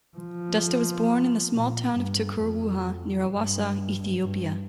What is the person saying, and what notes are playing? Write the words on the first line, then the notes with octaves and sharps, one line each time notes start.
Desta was born in the small town of Tiqur Wuha near Awassa, Ethiopia.
F3
A#2
G2
F2
G2
G2